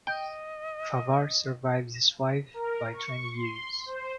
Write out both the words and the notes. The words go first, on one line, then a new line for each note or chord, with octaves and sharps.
Favart survived his wife by twenty years.
D#5 G5
A#4
C#6
C6
C5